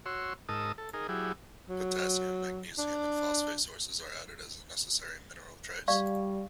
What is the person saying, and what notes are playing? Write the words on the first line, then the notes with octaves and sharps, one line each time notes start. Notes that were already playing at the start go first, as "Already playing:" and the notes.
Potassium, magnesium and phosphate sources are added as a necessary mineral trace.
F#4 C#5 C6 E6
G#2 D#4 A#4 A5 D#6 E6
A4
D#4 G#4 A#4
F#3 E4 G4 G#4
F#3
D4
G3 D5 F5 C#6